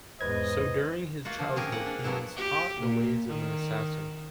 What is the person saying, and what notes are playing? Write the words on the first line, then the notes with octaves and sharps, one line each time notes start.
So during his childhood he is taught the ways of an assassin.
E2 G#2 B4 C5 D#5 G#6
A#3 F4 F#4
D3 F3
C4 C#4 G4 G#4 A#4
A#3 F#5
D4
F3 F#3 B3 E4
G4
A#2
D#3